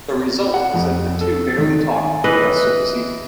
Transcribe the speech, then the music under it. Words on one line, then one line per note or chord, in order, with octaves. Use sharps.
The result was that the two barely talked for the rest of the season.
F#5
F2
A4
D#3
G#5
E3 B4 D#5